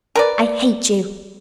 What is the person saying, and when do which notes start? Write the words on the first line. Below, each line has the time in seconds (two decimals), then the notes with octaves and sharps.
I hate you.
0.16 A#4 B4 D5